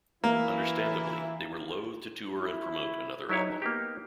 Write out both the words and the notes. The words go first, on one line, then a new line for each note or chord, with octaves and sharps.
Understandably, they were loath to tour and promote another album.
E3 A#3 E4
E4
F#3 D#4 E4 C#5
A#3 B3 D#4 G4